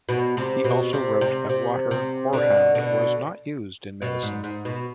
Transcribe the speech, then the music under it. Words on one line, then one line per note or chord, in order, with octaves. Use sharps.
He also wrote that water horehound was not used in medicine.
B2
C3
B2
C3
C3
C3
C3
B2 D3
B2 D3
B2
G#2
G#2
B2